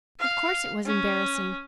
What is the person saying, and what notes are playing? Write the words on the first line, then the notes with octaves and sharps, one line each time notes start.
Of course it was embarrassing.
F5
C#4